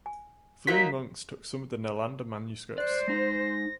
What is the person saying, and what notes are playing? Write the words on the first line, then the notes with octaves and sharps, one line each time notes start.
Fleeing monks took some of the Nalanda manuscripts.
G#5
F#3 A#3 D#4 F#4 A#4 B6
C5 D5 F#6
G#3 D#4 A#6